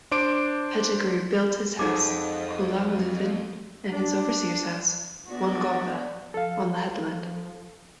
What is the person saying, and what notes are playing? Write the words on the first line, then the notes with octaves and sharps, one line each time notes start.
Pettigrew built his house "Coolaluthin" and his overseers house "Wongotha" on the Headland.
D4 C5 D6 D7
F2 D#4 G#4 A4 F#5 D6
D4
G#3 B3 D4 F#4 D5
F#5
F3 A4 F5